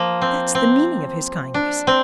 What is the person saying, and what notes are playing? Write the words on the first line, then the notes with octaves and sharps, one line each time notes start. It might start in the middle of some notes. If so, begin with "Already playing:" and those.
That's the meaning of his kindness.
Already playing: F3 A#3
C4
C4
D4
C4